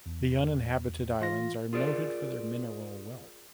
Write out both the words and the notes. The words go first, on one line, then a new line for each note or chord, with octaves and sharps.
The uninhabited islands are noted for their mineral wealth.
E2
E3 F4 A#6
F4 G#4 A#4 D5